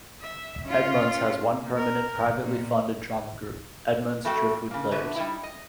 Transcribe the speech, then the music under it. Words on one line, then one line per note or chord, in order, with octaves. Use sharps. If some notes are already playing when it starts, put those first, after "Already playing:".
Edmonds has one permanent, privately funded drama group, Edmonds Driftwood Players.
E5
C#4 F4
A#3
A#4
A#2
F2 A3 F#4 A4 G5
C#3 A#3
B2 D3 A3 B4 E5
G3 D#4 E4
D#5